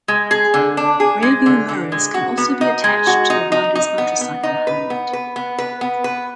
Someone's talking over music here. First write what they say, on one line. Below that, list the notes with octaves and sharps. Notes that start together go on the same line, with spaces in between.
Rear-view mirrors can also be attached to the rider's motorcycle helmet.
G#3
G#4
D3
D4
G#4
G#3
D3
D3
G#3
F#4
B3
D#4
G#3
F#4
D#4
D#4
D#4
B3
B3
D#4
B4
B3
B4
B3
B4
B3
B4